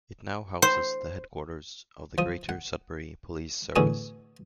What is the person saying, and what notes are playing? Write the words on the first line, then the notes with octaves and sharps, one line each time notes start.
It now houses the headquarters of the Greater Sudbury Police Service.
C5
F3 D#6
F#5
E2 A2 D3 F#4 G#4 D#6